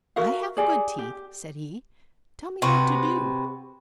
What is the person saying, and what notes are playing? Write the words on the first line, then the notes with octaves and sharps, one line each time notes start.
"I have good teeth," said he, "Tell me what to do."
F#4 A#4 E5 F5
G4 G#4 D5
G4
C3 F#4 B4